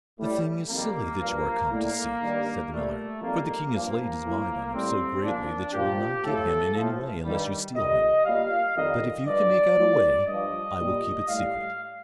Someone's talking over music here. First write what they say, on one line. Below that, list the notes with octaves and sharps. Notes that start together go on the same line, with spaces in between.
"The thing is silly that you are come to seek," said the miller; "for the king has laid his mind on him so greatly that you will not get him in any way unless you steal him; but if you can make out a way, I will keep it secret."
A2 G3
F2 D#3 G3 A#3
G2 F3
A2 G3 A#3
G2 D#3 G3
A#2 G3 A3
F2 D#3 G3 A#3
G2 F3 A#3
A2 F3
A2 G3 C4
A#2 F3 D4
A#2 F3 G4
A2 F3 A4
A2 F3
G2 D#3 G3
F2 C3 D#3 G3 D#5
A#2 G3 F5
F2 D#3 G3 D#5
G2 D3 F3 D5
A2 G3
G2 F3 D#5
A#2 G3
A2 G3 F5